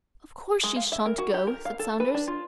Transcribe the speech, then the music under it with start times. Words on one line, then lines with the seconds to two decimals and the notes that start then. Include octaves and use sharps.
"Of course she shan't go," said Saunders.
0.63 G#3
0.76 F5
0.92 E5
1.06 A#4
1.18 F#4
1.34 G4
1.47 A#4
1.65 F5
1.79 A4
2.00 B4
2.14 D4
2.28 F4